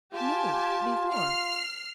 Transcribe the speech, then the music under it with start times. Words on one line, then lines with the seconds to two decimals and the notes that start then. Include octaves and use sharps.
"No, before."
0.14 F4 G4 G#5 A5
1.14 F6 C7